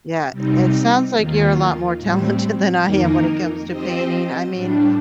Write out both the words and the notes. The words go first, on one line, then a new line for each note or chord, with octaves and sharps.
Yeah. It sounds like you're a lot more talented than I am when it comes to painting. I mean,
C3 G3 C4 D#4
D#2 D#3 A#3 F4
A2 G3 C4
F2 D#3 A#3 D#4 A#4
F3 C4 G4 C5 D#5
A2 G3 D4